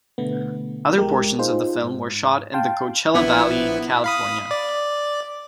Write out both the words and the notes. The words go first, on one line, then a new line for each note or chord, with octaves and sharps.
Other portions of the film were shot in the Coachella Valley, California.
B2 D3 A3 B3
B1 G#3 G4 A#4
D#4 F4 G#4 C5
G#2
F5 G5 A5 C6
A#1 B3 E4
F5 B5 D#6
D5